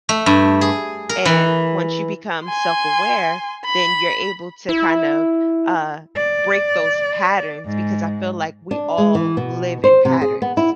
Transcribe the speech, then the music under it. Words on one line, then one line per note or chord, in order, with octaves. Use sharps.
and once you become self-aware, then you're able to kind of, uh, break those patterns because I feel like we all live in patterns,
A3
G2
G#4
A#4
E3
G#5 C6
B5
E4
D5
G#2
D4
G#3
E3
B2
C5
C3
G#4
B3
E4